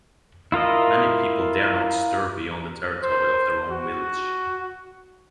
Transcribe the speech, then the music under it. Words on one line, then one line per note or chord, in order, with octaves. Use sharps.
Many people dare not stir beyond the territory of their own village.
E4 F4 A#4 D#5
C5
F#4